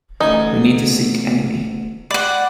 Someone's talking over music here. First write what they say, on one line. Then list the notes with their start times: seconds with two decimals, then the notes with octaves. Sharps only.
We need to seek Amy.
0.21 A1 D2 D#4 G#5
2.11 D5 F#5 G5 B5